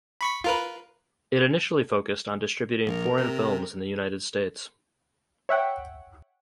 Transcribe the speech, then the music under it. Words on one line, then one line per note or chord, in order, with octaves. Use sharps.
It initially focused on distributing foreign films in the United States.
B5 C#6 B6
F4 A#4 B4
A#1 A#4
C3
C#5 E5 F#5 G5